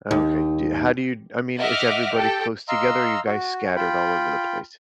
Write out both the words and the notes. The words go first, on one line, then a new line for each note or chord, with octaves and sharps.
Okay, do you how do you I mean, is everybody close together, or are you guys scattered all over the place?
D#2
D#5 E5 F#5 D6 F6
G4 A4 G5
D#5 F5 A#5 C6 E6
F#4
F4 G5 B5